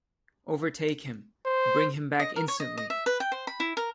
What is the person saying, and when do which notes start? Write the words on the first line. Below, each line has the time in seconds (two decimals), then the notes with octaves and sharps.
Overtake him; bring him back instantly!
1.46 C5
2.20 D#5
2.36 A#4
2.48 C#5
2.60 D#5
2.78 D#5
2.90 E5
3.06 B4
3.20 G5
3.32 C5
3.47 B5
3.60 E4
3.77 A#4